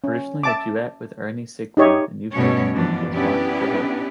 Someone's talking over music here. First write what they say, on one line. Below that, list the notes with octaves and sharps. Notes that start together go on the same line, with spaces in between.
Originally a duet with Ernie Sigley, the new version features Mark Trevorrow.
C#4
E5 A5 D6
D#4 G4 C#5 D#5 E5
G2 B2 G3 A3 C#4 C#5
F#2 B2 E3 F3 D4
B3 C#4 D4 E4 G4 B4